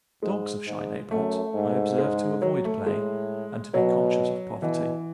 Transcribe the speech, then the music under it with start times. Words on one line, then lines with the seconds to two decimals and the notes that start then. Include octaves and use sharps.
The dogs of shy neighbourhoods, I observe to avoid play, and to be conscious of poverty.
0.22 G#2 G#3
0.67 G#2
1.11 F#2 A3
1.55 G#2
1.98 G#3
2.42 F#3
2.65 A3
2.86 A2 G#3
3.74 B2 F#3
4.62 B2 E3